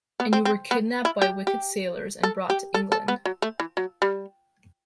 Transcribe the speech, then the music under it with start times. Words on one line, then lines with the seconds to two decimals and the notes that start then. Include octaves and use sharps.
And you were kidnapped by wicked sailors and brought to England.
0.20 B3
0.33 C4
0.45 C4
0.71 B3
1.05 E4
1.22 G4
1.47 G4
2.23 A4
2.50 G4
2.74 A4
2.92 A4
3.08 B3
3.25 F#3
3.42 A3
3.60 E3
3.77 F#3
4.02 G3